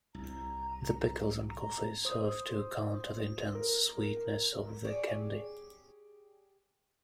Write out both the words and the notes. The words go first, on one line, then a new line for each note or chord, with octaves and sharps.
The pickles and coffee serve to counter the intense sweetness of the candy.
C2 A#5
A#5
C5 D#6
A#4
G4 G#4 C#5 D5